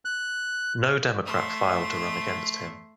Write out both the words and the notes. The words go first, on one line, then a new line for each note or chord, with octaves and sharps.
No Democrat filed to run against him.
F#6
A3 C6